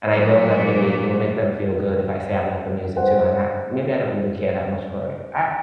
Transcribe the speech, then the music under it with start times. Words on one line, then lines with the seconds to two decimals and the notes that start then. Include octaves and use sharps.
and I know that maybe it will make them feel good if I say I like the music too, and I maybe I don't really care that much for it, I
0.10 A#2 F#3
2.96 C5 F#5